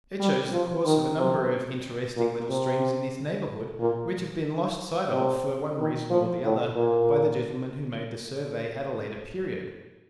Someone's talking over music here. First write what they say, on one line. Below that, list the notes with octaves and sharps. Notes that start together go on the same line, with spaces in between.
It shows the course of a number of interesting little streams in this neighbourhood which have been lost sight of for one reason or the other by the gentleman who made the survey at a later period.
G3
F3
D#3
C3
A#2
C3
A#2
C3
D#3
F3
A2
A#2